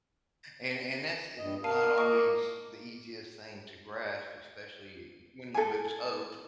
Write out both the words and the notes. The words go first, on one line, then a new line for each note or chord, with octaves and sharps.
And and that's, uh, not always the easiest thing to grasp, especially when you lose hope,
G2 D#5
A#4 F5 A5 C7 D#7
A#3 D#5 C#6 D#6
A#4 D6
A4 G#5